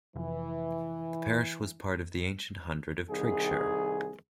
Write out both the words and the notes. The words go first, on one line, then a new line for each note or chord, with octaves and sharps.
The parish was part of the ancient hundred of Triggshire.
F1 E3
C2 D#3 G#4